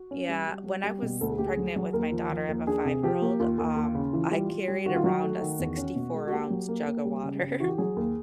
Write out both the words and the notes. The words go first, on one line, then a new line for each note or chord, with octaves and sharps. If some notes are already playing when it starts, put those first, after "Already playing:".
Yeah, when I was pregnant with my daughter- I have a five-year-old- um, I carried around a sixty-four-ounce jug of water.
Already playing: F#4
C#4
G3
G3
G3
G3
B2
D2 A4
G#4
D2 G4
G#4
F#3
F#3
D#2 A#4
F3
F3
D#2
D4 G#4
C3
F3 G4
A#3
D#2 F4
D#2
D#2
C#3
E3
G3
G3
G3
D#3 F#4
F4
F#3 F#4
A3
D#3
E2
C#4
B2
G#3
F#4
A#3 G4
F#3
A#3
A#3
G3
C#3
C#3
E3 F#4
G4
F#3 G#4
D#2